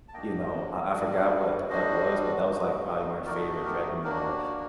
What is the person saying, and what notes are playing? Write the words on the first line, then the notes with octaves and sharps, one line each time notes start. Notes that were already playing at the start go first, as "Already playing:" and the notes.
you know, I I forgot what that was, but that was, like, probably my favorite Dragon Ball,
A5
A#3 D4 F#4 D#5 G5
G3 D4 F#4
G3 D4 F#4 C5 D#5
A3 D#4 F#4
A3 D#4 F#4 A#4 D5
G4 A#4
A#3 D4 F#4 G4 A#4
G4